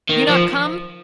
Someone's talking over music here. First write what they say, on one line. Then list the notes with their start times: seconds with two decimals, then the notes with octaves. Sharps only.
You not come?
0.10 D#3
0.29 F3